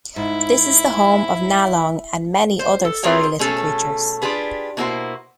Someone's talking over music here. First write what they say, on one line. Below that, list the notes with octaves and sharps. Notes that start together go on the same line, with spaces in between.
This is the home of Nalong and many other furry little creatures.
G#2 E4
C5
A4
C4 F4 G#4 A#4 C#5 G5
B2 A3 C#4 G#4 A4
D4 F4 G4 G#4 B4
B2 A#3 E4 F#4 A#4 C5